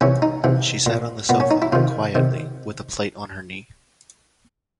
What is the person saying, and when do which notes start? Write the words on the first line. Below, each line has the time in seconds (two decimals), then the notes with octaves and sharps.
She sat on the sofa, quietly, with a plate on her knee.
0.01 C3 E3 C#4
0.22 D#4
0.44 C3 E3
0.86 A#2
1.29 A#2 B3
1.40 C#4
1.51 D#4
1.62 E4
1.72 C3 D#3 F4
2.15 C3 D#3